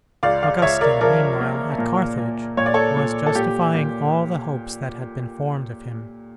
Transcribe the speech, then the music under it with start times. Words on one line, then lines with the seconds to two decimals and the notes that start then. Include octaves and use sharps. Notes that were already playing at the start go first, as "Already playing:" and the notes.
Augustine, meanwhile, at Carthage, was justifying all the hopes that had been formed of him.
0.23 C#2 D5 F5
0.43 D5 F5
0.62 C#2 C#5 E5
0.81 A#4 D5
1.01 F3 A#4 D5
1.41 A#3
1.79 A#2
2.18 A#2
2.57 A#2 C#5
2.66 D5
2.74 A4 C#5
2.97 A#2
3.26 A4
3.35 A#2 G4
3.74 A#2